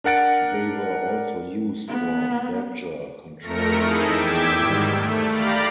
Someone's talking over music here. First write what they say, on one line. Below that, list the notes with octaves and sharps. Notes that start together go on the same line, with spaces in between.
They were also used for badger control for many years.
D4 A#4 F#5 A6 D7
B3
F2 A3 A#4 A#6 C#7
D#4 E4 G#4 A4
E2 G5 D6 E6 G#6 B6
G#2 D#3 G3
A3
G4 D5 F5 A#5 B5